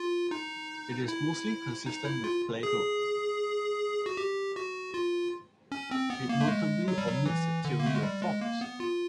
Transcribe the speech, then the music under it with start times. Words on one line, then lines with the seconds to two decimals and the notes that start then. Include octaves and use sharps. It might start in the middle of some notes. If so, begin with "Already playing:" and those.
It is mostly consistent with Plato; it notably omits the Theory of Forms.
Already playing: F4
0.31 D#4
1.08 E4
1.86 D#4
2.05 E4
2.24 F4
2.63 G#4
4.06 F#4
4.17 G4
4.56 F#4
4.94 F4
5.72 C#4
5.91 C4
6.10 B3
6.29 A#3
6.41 A3
6.48 G#3
6.88 F#3
6.98 G3
7.08 F#3
7.26 E3
7.65 D3
7.79 A#3
7.86 A3
7.95 G#3
8.03 G3
8.22 G#3
8.41 A#3
8.61 B3
8.80 F4